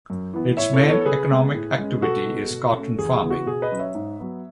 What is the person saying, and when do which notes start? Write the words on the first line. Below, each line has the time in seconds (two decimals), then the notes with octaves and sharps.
Its main economic activity is cotton farming.
0.10 F#2
0.33 E3 B3
0.57 A2 C#5 E5
0.73 A4 C#5
0.82 E3 B3
0.89 A4 C#5
1.01 A4
1.05 C#3 G#4 B4
1.30 G#3 B3
1.55 A2
1.78 G#3 C#4
2.02 B2 F#4 A4
2.26 G#3 B3
2.50 B2
2.74 C#4
2.79 A3
2.99 E2 G#4
3.15 G#4
3.23 C#3 E3 B3
3.30 F#4
3.46 B2 G#4
3.62 B4 D#5
3.71 F#3 C#4
3.79 C#5 E5
3.95 G#2
4.20 F#3 B3